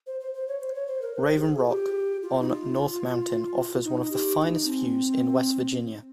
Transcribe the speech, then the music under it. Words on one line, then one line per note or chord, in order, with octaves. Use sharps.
Raven Rock, on North Mountain, offers one of the finest views in West Virginia.
C5
C5
C5
C#5
C5
C#5
C5
A#4
C5
G4
G#4
F4
G4
F4
D#4
F4
D#4
G4
D#4
C4